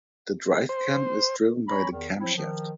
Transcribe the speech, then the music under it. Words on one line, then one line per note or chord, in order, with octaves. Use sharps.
The drive cam is driven by the camshaft.
C5
C#4 C#5 A#5 B5
E2 D#3
F3 F#3 C4 E4
D#3 F3